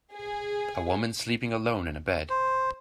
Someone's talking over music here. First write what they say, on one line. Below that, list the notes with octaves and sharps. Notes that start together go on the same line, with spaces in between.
A woman sleeping alone in a bed.
G#4
C5